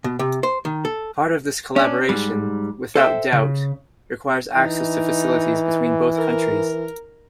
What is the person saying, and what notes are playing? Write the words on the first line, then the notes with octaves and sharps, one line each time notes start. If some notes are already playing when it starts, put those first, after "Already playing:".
Part of this collaboration, without doubt, requires access to facilities between both countries.
B2
C3
C5
D#3
A4
C#4 D4
G#2 G3
A4 C5 E5 G5
C#3
E3 D#4
A#4